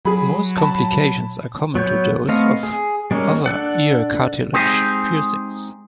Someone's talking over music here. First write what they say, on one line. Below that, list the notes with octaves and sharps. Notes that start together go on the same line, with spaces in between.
Most complications are common to those of other ear cartilage piercings.
F#3 G#4 B5
A5 B5
F#3 B3 C#5 G6
A3 B3 C4 D#5 F5
G#4
G3 G#3 A#3 C#4
D4 A4 F#5
G#3 C4 D#4 G4 G#4